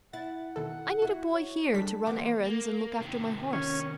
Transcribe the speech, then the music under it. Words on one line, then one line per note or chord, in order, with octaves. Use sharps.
I need a boy here to run errands and look after my horse.
E4 F#5 A6
B2 D#3 A4
E4 F#4
C#5
G3 G#3 D4 A4 B6
E3 A#3 C4 F#5 D6
A#3
C3 D#3
C#4